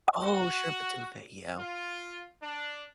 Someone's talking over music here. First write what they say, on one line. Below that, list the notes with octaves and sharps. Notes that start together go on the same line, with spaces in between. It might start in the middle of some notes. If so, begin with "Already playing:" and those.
Oh, shrimp étouffée, yeah.
F#4
F4
D4